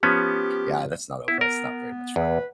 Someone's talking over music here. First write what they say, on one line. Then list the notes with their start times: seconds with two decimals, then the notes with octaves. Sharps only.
Yeah, that's not o that's not very much fun.
0.03 F3 B3 C#4 G4
1.28 B3 E4
1.41 A#4
2.16 E2 B4